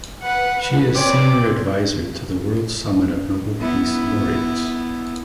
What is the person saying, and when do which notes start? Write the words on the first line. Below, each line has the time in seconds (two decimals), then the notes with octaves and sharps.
She is senior advisor to the World Summit of Nobel Peace Laureates.
0.23 B4 F#5
0.95 C4 C#5 D5 G#5 D6
3.60 B3 E4